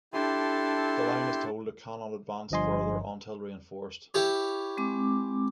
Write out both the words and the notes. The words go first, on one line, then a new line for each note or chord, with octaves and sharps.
The line is told it cannot advance further until reinforced.
D4 E4 G4 A4 C6
G1 G2 F3 D#5 G#5 C6
E4 G4 C#5
G#3 C4 D6